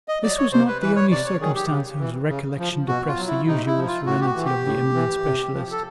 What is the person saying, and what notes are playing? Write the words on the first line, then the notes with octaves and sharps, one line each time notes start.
This was not the only circumstance whose recollection depressed the usual serenity of the eminent specialist.
D#5
F#3 D5
C#5
C3 C5
B4
E3 B4
C#5
C3 D5
C#5
D#3 F#3 G#4
G4
C#3
E3
C#3
F3
B2 F#4
F4
F#3
E4
C3 D#4
E4
F3
F4
A2 F#4
G4
F#4
E3
G4
A2
E3
C3
F3
A4